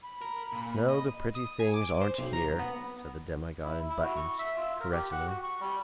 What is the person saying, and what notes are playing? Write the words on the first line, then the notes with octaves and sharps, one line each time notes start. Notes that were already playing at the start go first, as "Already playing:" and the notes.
"No, the pretty things aren't here," said the demi-god in buttons, caressingly.
B5
A#4
A#2
D#5
D#6
G#5
D6
C5
B1
A#5
B3
E4
E4
F#4
C#6
E5
F4
A#4
G4
F#5
F#4
C#6
G3